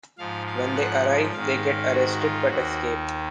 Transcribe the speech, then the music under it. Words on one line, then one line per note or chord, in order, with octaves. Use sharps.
When they arrive, they get arrested, but escape.
G#2 F3 F5
F5
F#5
G#2 D#3 F5
F#4
F4
D#2 D#3 F#4